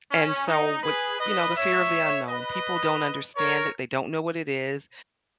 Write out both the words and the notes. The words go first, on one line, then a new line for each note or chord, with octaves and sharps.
And so, with you know, the fear of the unknown, people don't understand it, they don't know what it is.
C#4
D#4
G#4 B4
B4 D#5
C#5 E5
B4 D#5
A#4 C#5